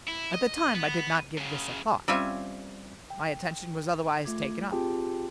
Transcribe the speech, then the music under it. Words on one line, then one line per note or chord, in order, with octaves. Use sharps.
At the time I did not give this a thought; my attention was otherwise taken up.
E4
D#5
B3
F#2 C#3
G3 C4 C#4 F4 E5 G#5
G5
A3 F4 D6 G#6
C4 F4 G4 G#4 G5 A5